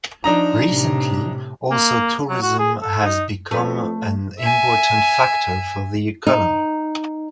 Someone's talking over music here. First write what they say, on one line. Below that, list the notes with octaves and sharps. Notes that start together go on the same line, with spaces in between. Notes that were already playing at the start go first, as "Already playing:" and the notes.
Recently, also tourism has become an important factor for the economy.
F3 D4 D#4 A#5
A2 C3
A#3
F#3
F#4
G#4
A4
D#4
F2 A3 B4 C#5
E5 G#5
D#4